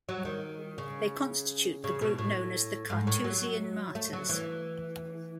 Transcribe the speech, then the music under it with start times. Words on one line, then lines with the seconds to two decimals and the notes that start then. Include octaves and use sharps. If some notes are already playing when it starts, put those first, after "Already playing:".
They constitute the group known as the Carthusian Martyrs.
0.09 F#3
0.25 D#3
0.78 C#3
1.84 C#3
2.01 B2
2.18 A2
2.90 G#2
3.07 A2
3.24 F#3
3.95 A3
4.13 F#3
4.29 E3